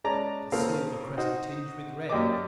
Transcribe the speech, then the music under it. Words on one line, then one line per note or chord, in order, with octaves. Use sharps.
A silver crescent, tinged with red.
G#3 C#4 D5 A5 A#5
A#2 C#3 C4 A4 A#4 F5
D#4 F#4 C5
F#2 A#3 G4 D5 D#5 D6